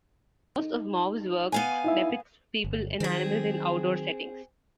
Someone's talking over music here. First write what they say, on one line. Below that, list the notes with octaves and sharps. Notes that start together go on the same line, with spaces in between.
Most of Mauve's work depicts people and animals in outdoor settings.
D#4
B3 F5 G#5
D#4 E4 E5
G1
D#3 F#3 C4 G#4